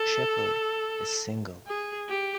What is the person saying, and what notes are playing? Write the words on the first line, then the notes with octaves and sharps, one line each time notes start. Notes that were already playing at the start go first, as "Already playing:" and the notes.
Shepherd is single.
Already playing: A4
G#4
G4